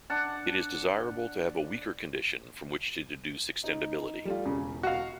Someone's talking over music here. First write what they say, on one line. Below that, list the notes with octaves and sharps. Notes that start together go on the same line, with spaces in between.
It is desirable to have a weaker condition from which to deduce extendability.
D4 F#5 A5
D#4
G3 A3 F4
E1 C#3
F#4 F5